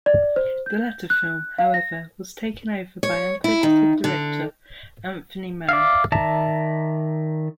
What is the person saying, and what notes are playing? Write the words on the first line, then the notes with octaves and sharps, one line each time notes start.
The latter film, however, was taken over by uncredited director Anthony Mann.
D5
C5
G6
F#6
F5
A#6
C#5
E4
D#3
D3
D5 E5 F5
D#3 D5 E5 A5 A#5